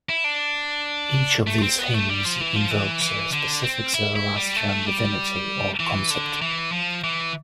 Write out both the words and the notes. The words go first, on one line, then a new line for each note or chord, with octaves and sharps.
Each of these hymns invokes a specific Zoroastrian divinity or concept.
E4
D4
A3
C4
B3
A3
G3
F3
E3
F3
E3
E3
D3
C4
E4
E4
G3
A3
G3
E3
D3
E3
F3
E3